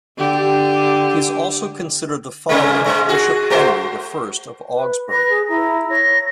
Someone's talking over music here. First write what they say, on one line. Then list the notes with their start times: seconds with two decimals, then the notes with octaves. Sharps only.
He is also considered the father of Bishop Henry the First of Augsburg.
0.18 D3 G4
2.49 C3 G#3 A#3
2.86 G#2 G#3
3.09 F#4 G#4
3.50 A3 F#4 C5
4.75 B4
5.10 B4 A#6
5.29 G#4
5.49 E4 A#5
5.90 C#5 A#6